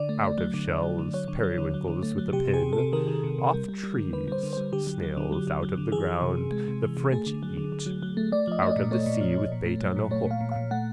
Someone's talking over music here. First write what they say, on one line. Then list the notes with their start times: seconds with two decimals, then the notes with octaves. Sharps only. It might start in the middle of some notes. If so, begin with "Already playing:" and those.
Out of shells, periwinkles with a pin, off trees, snails out of the ground the French eat, out of the sea with bait on a hook.
Already playing: D3 D5
0.09 A3
0.24 A3
0.38 F#3
0.54 D3
0.68 D3
0.83 F#3
0.99 D3
1.13 F#3 C#5
1.28 D3
1.43 F#3
1.58 D3
1.74 F#3
1.88 D3
2.03 A3
2.18 F#3
2.33 C3 G4
2.48 C3
2.54 G#4
2.62 C3
2.73 A4
2.78 C3
2.93 D#3 A#4
3.08 D#3
3.24 C3
3.39 C3
3.53 G3
3.68 G3
3.83 G3
3.98 D3
4.13 D3 B4
4.27 G3 C5
4.43 D3
4.53 G3 C5
4.73 D3 G4
4.87 F#3
5.03 F#3
5.17 D3
5.32 F#3
5.47 D3
5.63 F#3
5.77 D3
5.92 E3 G#4
6.07 E3
6.22 C3
6.37 C3
6.52 G#3
6.68 C3
6.83 E3
6.97 C3
7.12 A3 G#4
7.26 D3
7.43 F#3
7.57 D3
7.72 D3
7.86 F#3
8.02 F#3
8.17 A3
8.32 A3 D5
8.47 F3 D#5
8.62 A3 D#5
8.71 A#2 D5
8.91 A3 C#5
9.06 A#2
9.21 F3
9.36 F3
9.52 A#2
9.66 A3
9.81 F#3
9.97 A#2
10.11 A3 C#5
10.26 A#2 F5
10.41 A#2
10.52 A#2 F5
10.71 A3 F#5